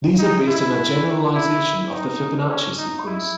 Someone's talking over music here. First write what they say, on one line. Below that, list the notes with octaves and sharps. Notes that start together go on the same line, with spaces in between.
These are based on a generalisation of the Fibonacci sequence.
D#4
E4
E4
D#4
C#4
D#4
E4